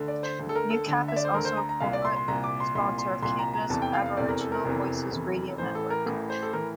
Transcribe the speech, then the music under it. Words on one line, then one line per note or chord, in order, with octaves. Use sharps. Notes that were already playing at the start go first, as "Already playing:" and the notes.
Newcap is also a corporate sponsor of Canada's Aboriginal Voices radio network.
Already playing: D2 D3
D5
C5
D2 D3
A4
A#4
A4
D2 D3
E5
D5
C5
D2 D3 A#4
C5
A#5
A#5
C2 A#2 F5
D5
C6
C6
C2 A#2 A#5
D6
C6
C2 A#2 C6
C6
C2 A#2 C6
A#5
A#5
F1 E2 C3 E3 A5
G5
F5
F5
F1 E2 C3 E3 D5
A#4
A4
A#4
F1 E2 C3 E3
F1 E2 C3 E3
A1 A2 E3 C5
A4
A#4
A1 A2 E3 A#4
C5
A4
A2 E3 A#4